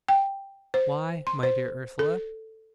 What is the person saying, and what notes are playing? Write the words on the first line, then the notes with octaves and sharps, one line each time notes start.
"Why, my dear Ursula?"
G5
C5
C6
C5
A4